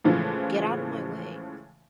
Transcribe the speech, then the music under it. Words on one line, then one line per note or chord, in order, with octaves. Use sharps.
Get out of my way!
A2 C#3 E3 F3 G#3 F4